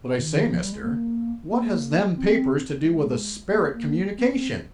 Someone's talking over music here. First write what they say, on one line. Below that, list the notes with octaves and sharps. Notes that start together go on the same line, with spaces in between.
"But I say Mister, what has them papers to do with a sperit communication?"
D#3
F3
G3
G#3
A#3
A#3
C4
G#3
A#3
C4
C#4
C4
G#3